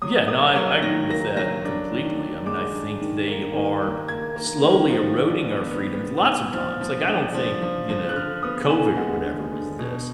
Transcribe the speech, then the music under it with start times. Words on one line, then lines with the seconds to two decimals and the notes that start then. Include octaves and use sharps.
Yeah. No. I I agree with that completely. I mean, I think they are slowly eroding our freedoms, lots of times. Like, I don't think, you know, COVID or whatever was this.
0.02 F#3 D#6
0.28 A#3 D#6
0.55 F#3 G#6
0.82 D#3 A#6
1.10 A#3 A#6
1.37 F#3 A#6
1.65 D4
1.92 D#3
2.19 D4
2.46 G#3 D6
2.73 D4
3.00 D#3
3.28 A#3
3.54 D#3
3.81 A#3
4.08 A#3 G#6
4.36 A#3
4.63 D#3
4.90 F3
5.17 D4
5.45 B3
5.71 B3
5.99 B3
6.25 B3
6.53 F3 F6
6.81 F3
7.08 D4
7.34 F3
7.62 F3
7.89 F3
8.09 F#6
8.16 D3 F6
8.43 B3 D#6
8.70 D3 G#5
8.97 G#3 F#5
9.25 D3
9.52 D3
9.79 B2